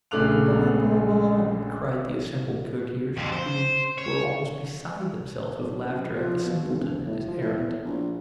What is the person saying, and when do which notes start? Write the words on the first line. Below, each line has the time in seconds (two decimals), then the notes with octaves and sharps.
"Good-bye, Bobo," cried the assembled courtiers, who were almost beside themselves with laughter at the simpleton and his errand.
0.11 A#1 C#3 A3 D6 F#6 F7
3.17 F2 D3
3.32 C5
3.98 C#5
5.62 B1
5.84 F#2
6.01 E2
6.14 F3
6.44 B2
6.61 G#1
6.78 E1
7.06 A2
7.27 F3
7.41 A2
7.56 E2
7.84 A#1